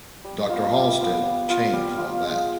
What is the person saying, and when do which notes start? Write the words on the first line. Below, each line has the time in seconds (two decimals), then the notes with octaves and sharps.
Doctor Halsted changed all that.
0.24 G3
0.49 B3 F4
0.74 G3
0.99 B3 F4
1.23 G3
1.48 B3 F4
1.73 G3
1.97 B3 F4
2.22 G#3